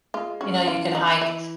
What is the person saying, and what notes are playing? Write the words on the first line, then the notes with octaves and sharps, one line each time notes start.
you know, you could hike.
G#3 F4
C#4 F#4
E3 F4
E3 D#4
E3 E4